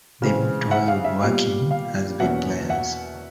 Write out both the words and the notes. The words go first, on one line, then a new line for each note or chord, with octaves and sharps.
They moved to Hollywood, working as bit players.
C#3 E3 G#3 C4
E5 F#5
F5
E5
A#2 G3 B3 F5
F5
E2 B2 F#3 A#3 C#4 E5 F#5
E5 F#5